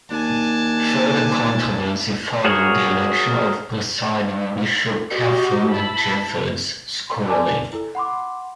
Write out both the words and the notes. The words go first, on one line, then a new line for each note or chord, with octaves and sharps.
Further controversy followed the election of Presiding Bishop Katharine Jefferts Schori.
D#2 D4 G#5 A5
F#4 G#4 A#4 C#5
F#4 G4 D#5
E4 A5 B5
B4 D5 G#5 A5 D6
E4 A4
F#5 B5 C6 D6